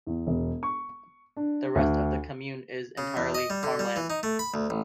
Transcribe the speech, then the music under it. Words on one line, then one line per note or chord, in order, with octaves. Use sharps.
The rest of the commune is entirely farmland.
E2
E1
C#6
D4
D2
C#3
E2
D#5
G3
D3
G3
E3
D#4
A3
B5
D2
A1